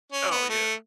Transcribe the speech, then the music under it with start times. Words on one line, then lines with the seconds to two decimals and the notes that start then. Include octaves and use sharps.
Oh, yeah,
0.12 C#4
0.31 B3
0.50 A3